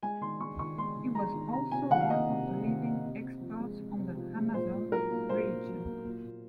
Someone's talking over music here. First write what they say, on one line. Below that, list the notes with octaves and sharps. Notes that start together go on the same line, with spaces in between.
He was also one of the leading experts on the Amazon region.
G#3 G#5
D#3 C6
G#3 C#6
D#3 C#6
G#3 C6
D#3
G#3 A#5
D#3
C3 A#5
C3 G#5
D#3 F#5
F5
A#3 D#5
C3
C3
D#3
A#3
C3
C3
F3
G#3
C3
C3
F3
G#3
A#2 C5
A#2
F#3 A#4
A#3
A#2 C5
A#2
F#3
A#3
A#2
A#2